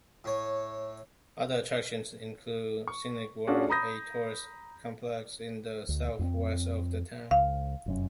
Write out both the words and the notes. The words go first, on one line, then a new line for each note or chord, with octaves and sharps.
Other attractions include Scenic World, a tourist complex in the southwest of the town.
A2 C#5
C#6
C#4 D4 F4 F#4 G#4 D5
A#5 B5 D#6 G6 A#6
D2
F2 B3 C4
C#2 F5
F1 F#2 C#4